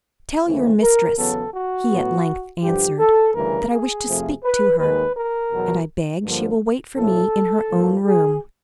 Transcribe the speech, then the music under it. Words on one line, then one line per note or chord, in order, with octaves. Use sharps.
"Tell your mistress," he at length answered, "that I wish to speak to her, and I beg she will wait for me in her own room."
D#2 C#3 E3 A3 C4
A#4
E2 C#3 F#3 B3 A4
F#4
A2 F#3 B3
G2 D3 F3 G4
A4
D2 C#3 E3 G3 A#4
G#4
F2 C3 F3 A3
B4
D#2 D#3 G#3 B4
A#4
E2 B2 F#3
G2 D3 F3 A#3
B1 A2 F3 A4
G#2 F3 A#3
G#4